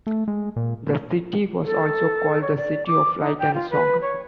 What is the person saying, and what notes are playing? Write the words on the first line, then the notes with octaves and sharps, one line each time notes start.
The city was also called "The City of Light and Song".
A3
G#3
A#2
A4
C#5
D5
D6
D#4
G5
F4
B4
C#5